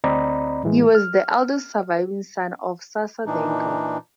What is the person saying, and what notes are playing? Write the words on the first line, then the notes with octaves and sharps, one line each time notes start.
He was the eldest surviving son of Sarsa Dengel.
D2 C4 D5 D#5 A#5 B5
A2 E3 G#3
F6
A#2 E3 D4 D#4